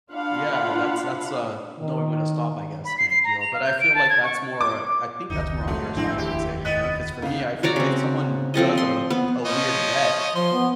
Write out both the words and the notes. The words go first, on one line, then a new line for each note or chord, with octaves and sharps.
Yeah. That's that's, uh, knowing when to stop, I guess, kinda deal. But I feel like that's more I think that's more on your side, I would say, you know, 'cause for me, I feel, e if someone does a a weird bet,
D4 F4 F5 F#5 B5
D#3
B5
C7
C7
A#5
F7
F5
G6
D7
A5
G#6
C#6
D6
F1 C#2 D#3 D#4
G#2 F#3 A3
A1 F3 C4 D4 E4
F1 D#2 G4
B3 D#5 F#6 B6
C#2 C#3 F5
F#4 C#5 D5 A#5
C#3 C4
F3 C4 A4 D#5
C6
B3
F3 C#5 D#5
F3 C6
B3